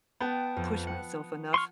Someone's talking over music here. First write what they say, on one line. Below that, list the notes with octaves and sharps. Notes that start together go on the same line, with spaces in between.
push myself enough.
B3 G5 A5
F2
F#5
C6 C#6 F6